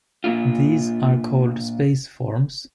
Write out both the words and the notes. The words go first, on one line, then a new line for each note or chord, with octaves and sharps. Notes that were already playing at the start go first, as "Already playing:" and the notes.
These are called space forms.
A#2 A#3 D4 F4